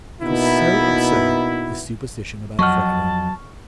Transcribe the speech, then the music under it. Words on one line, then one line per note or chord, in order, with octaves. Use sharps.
It was so absurd, this superstition about Friday.
B2 A#3 B3 D#4 E4
F2 F#3 D#5 F#5 A5 C#6 F6